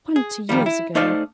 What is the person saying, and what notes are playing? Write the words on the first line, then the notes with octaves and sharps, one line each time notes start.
Twenty years ago!
G#4
F2 D#3 F3 G3
E4
A3 D#4 C5 D5 F5